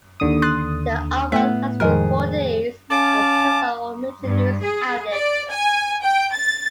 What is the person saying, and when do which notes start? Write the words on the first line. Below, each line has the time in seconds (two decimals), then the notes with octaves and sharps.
The uproar lasted for days and was covered on all major news outlets.
0.20 D#2 D3 D#6
0.42 C6 F#6 A6
1.32 A2 B3 E5 F#5
1.80 F2 D#3 G#3 G#4 A#4
2.90 C#4 F5 A5 D6
4.24 G2
4.63 G#4
5.12 D5
5.50 G#5
6.04 G5
6.35 A6